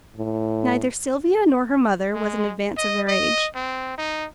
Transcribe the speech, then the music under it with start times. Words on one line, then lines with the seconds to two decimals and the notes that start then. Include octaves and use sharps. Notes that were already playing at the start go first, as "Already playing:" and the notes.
Neither Sylvia nor her mother was in advance of their age.
0.17 A2
2.14 G#3
2.77 D#5
3.08 D#5
3.55 C4
3.98 D#4